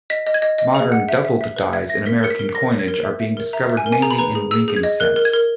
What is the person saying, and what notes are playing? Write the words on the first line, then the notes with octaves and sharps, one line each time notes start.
Modern doubled dies in American coinage are being discovered mainly in Lincoln cents.
D#5 B6
D#5
G#6
D#5
D#5
G#4
F#5
E5
E5
E5
B4
E5 G#6
E5 A#6
A#4 B6
A#4 C#7
B6
A#4
A#4 A#6
C#5
G#6
A#4
E5
E5
A#4
E5 A#5
E5
G#5
A#4
G#5
G#4 A#5
B5
B4 A#5
G#4
G#4 E6
G#4
G#6
D#5
A#4 F#6
A#4
G#6
A#4